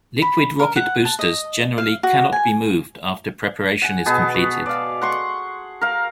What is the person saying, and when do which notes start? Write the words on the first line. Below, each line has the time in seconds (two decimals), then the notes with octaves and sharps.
Liquid rocket boosters generally cannot be moved after preparation is completed.
0.22 B5
0.59 A#4
0.76 F#5
1.05 A5
1.19 D#5
1.78 F5
2.03 F#4
2.32 G#5
3.82 F#5 G#5
4.06 B2 B3 G#4 A5
4.34 F#4
4.66 D5 F5
5.02 F#5 C6 C#6
5.81 A#4 F5